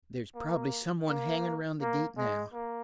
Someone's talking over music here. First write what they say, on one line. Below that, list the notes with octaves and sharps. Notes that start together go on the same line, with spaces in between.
There's probably some one hanging around the gate now.
A#3
A#3
A#3
G#3
A#3